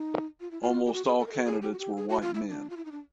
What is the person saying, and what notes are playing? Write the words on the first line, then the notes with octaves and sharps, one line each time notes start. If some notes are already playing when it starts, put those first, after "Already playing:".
Almost all candidates were white men.
Already playing: D#4
F4
E4
F4
G4
F#4
G#4
A4
A#4
A4
G#4
G4
F#4
G4
G#4
F#4
F4
E4
D4
F4
E4
D#4
D4